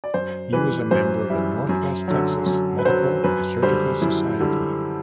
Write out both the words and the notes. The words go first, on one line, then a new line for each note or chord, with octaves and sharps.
He was a member of the Northwest Texas Medical and Surgical Society.
D5
F#2 C5
E3 G3 B4
F#2 C5
E3 G3 E5
F#2
D3 F#3
F#2
B4
D3 F#3 C5
F#2 B4
D3 G3 C5
F#2 E4
D3 G3